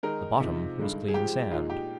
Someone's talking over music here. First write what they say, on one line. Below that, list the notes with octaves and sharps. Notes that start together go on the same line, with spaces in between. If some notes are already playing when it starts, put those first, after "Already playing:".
The bottom was clean sand.
D#3 G#3 D#4 A#4
C3 F3 G#3 D#4
G2 D3 G#3 D#4
G#4
G#2 F3 G#3 G4
A#2 G#3 D#4 F4
G4